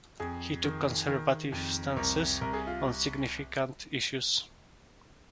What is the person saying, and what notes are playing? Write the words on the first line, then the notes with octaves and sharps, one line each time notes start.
He took conservative stances on significant issues.
F2 G#4
D#3
D#3
F2
C2 A#4
C2 A#4
G#4
F4